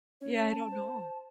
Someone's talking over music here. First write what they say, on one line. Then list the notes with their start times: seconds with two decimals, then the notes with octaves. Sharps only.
Yeah, I don't know.
0.21 C#4 C#5
0.49 A5
0.72 C5